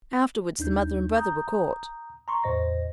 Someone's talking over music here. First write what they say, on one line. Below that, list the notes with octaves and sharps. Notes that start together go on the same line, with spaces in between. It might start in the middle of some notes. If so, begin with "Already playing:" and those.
Afterwards the mother and brother were caught.
D#2 D4 D#4 G6
A#5 D#6 G6
A#5 C6 C#6
E2 A2 C5 D#5 A#6